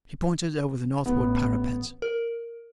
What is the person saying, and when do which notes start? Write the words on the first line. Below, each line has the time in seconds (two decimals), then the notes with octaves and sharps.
He pointed over the northward parapet.
1.06 A1 B3
2.02 A#4